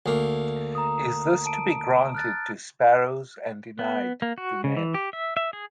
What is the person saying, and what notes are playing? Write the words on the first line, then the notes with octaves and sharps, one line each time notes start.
Is this to be granted to sparrows and denied to men?
D2 A#3
A#5 D#6
A5 D7
F6 F#6 A6
B3
A#3
F#4
C#3
E3
G4
E5
E5
G#4